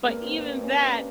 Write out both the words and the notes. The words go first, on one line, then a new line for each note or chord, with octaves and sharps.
But even that
G#3
G2 A#3
C4
C4
C#4